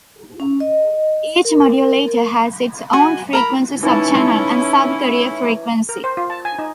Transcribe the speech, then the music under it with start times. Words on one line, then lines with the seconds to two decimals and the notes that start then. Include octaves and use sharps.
Each modulator has its own frequency sub-channel and sub-carrier frequency.
0.40 C#4
0.60 D#5
1.45 A#4
2.93 F#4 G#5
3.33 A#4 A#5 B5
3.83 E3 C#4 D#4 E4 A5
5.89 A#4
6.04 C5
6.17 F4
6.30 A5
6.45 G#5
6.59 D#4